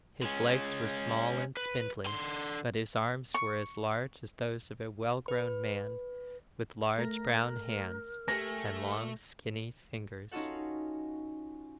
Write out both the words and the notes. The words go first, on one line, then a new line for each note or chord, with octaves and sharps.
His legs were small and spindly, but his arms were as large as those of a well-grown man, with large brown hands, and long skinny fingers.
G#3 C#4
B4
D3 C6
C#6
B4
A3 A#4 A#5 A#6
A3 G4 G#5 A#6
C#4 D#4 F4 F#4 A4 F#5